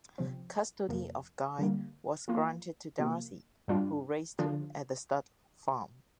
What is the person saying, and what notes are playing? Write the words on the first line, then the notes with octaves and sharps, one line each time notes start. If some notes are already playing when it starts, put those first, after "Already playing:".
Custody of Guy was granted to Darcy who raised him at the stud farm.
C3 F3 C4
F2 C3 F3 A#3
D3 G3 A#3
F3 A#3 F4
C3 F3 A#3
G2 G3 D4 F4
D3 F3 D4 F4